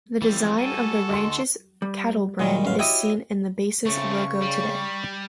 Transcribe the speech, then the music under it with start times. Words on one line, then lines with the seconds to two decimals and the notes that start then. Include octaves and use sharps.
The design of the ranch's cattle brand is seen in the base's logo today.
0.22 E3 F3 G3 C4
0.59 F#4 A4 G#5
1.09 D2 D#5 C6
1.82 G3
2.39 A#2 D#3 G3 G#3
2.65 A1 F#2 F5
2.79 E4 F#4 G4 C#5 D#5 D#6
3.86 C#3 A3 C4 C#6
4.42 G3